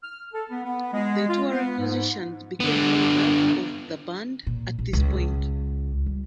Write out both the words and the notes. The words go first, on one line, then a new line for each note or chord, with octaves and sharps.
The touring musicians became members of the band at this point.
F6
A4
B3
B3
G#3
F4
B3
G#2
D3 B3
A#2
A#1
C#2
G3